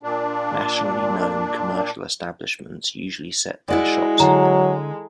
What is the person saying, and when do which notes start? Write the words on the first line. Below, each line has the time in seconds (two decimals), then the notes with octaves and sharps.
Nationally known commercial establishments usually set their shops here.
0.03 A#2 D4
3.68 G#3 E4 F#4 D5
4.20 D3 F#3 F#5 A#5